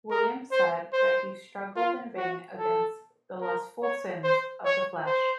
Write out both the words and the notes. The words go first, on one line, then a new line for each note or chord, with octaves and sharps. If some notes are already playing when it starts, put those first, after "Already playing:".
William said that he struggled in vain against the lustful sins of the flesh.
A#4
C5
C5
F4
F#4
A4
A#4
C#5
C5
C#5
C5